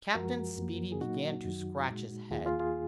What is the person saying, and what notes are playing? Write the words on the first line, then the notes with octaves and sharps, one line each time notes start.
Captain Speedy began to scratch his head.
F#2 F3 G#3 F#4 A#4
F#2 F3 A#3
G#4
A#2 F#3 A#3 D#4 F#4
F#2 D#3 F#3
A#2 G#3
D#2 D#3 A#3 F4 G#4
F4 G#4
F4 G#4